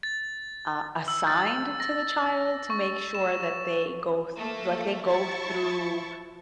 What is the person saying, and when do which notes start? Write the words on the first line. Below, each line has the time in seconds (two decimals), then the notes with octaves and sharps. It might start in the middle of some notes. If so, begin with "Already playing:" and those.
uh, assigned to the child to make sure that they go th like, they go through,
0.03 A6
1.08 E6
1.27 A6
1.80 A#6
2.70 C#6
3.15 E7
4.38 A3 A#3 A4
5.07 E4 A5 C#6